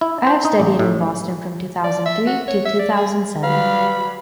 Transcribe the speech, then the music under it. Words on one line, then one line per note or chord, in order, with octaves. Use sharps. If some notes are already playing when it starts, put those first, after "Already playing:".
I have studied in Boston from two thousand three to two thousand seven.
E4
C5
D#4
A1
A2
D5
E5
F#4
C#5
E5
D5
G#4
F#3 G3 B4 F5 B5